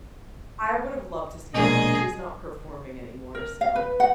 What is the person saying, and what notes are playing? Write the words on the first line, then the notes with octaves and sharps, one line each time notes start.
I would have loved to see her, but she's not performing anymore, so
A#1 B2 G#3 A#3 C#4 D4 G#4 D#5
A#4
F5
B4
F#5